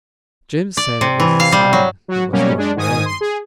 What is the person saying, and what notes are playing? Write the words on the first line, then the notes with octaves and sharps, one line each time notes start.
Jim said it was a sign it was going to rain.
D5
C3
E3
F5
G3
F#3
F#3 F#4
B2 F#3 G3 A#3 C#4
G#3 D4
G#2 D#3 G#5 D#6 D#7
C6
G#4